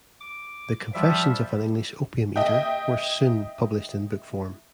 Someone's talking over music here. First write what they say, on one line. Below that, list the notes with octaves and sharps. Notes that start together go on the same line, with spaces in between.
The "Confessions of an English Opium-Eater" were soon published in book form.
D6
F3 G3 E5
D#5 E5 G5